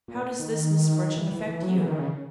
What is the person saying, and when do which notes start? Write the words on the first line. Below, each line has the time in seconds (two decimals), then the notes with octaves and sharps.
How does this misfortune affect you?
0.08 A#2
0.39 D#3
1.16 E3
1.32 E3
1.47 E3
1.63 F#3
1.78 E3
1.88 D#3
1.99 C#3